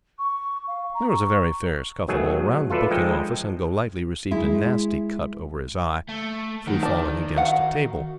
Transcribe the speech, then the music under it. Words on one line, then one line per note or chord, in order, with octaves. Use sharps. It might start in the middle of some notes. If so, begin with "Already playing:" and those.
There was a very fair scuffle all round the booking-office, and Golightly received a nasty cut over his eye through falling against a table.
C#6
F5
A#5
C#6
B2 D#3 F#3 A3 G#4
F4 A4 B4 D5 E5
F3 G#3 D#4 A4 D#5 G5
G#3 E4
A3
D#3 F#3
D5 A5
F#4 F5 F#5